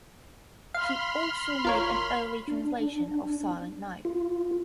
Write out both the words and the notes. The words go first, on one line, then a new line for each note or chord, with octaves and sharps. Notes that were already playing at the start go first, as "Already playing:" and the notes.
She also made an early translation of Silent Night.
F5 B5 C6 F6
G#1 F4 A#4 C#5
D4
F4